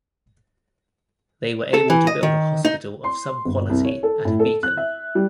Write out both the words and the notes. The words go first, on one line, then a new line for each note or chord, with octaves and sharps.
They were able to build a hospital of some quality at a beacon.
A4
E3
D#5
D#3
D#4
C6
G1
C2
C#5
A4
A2
A4
F#6
E5
G3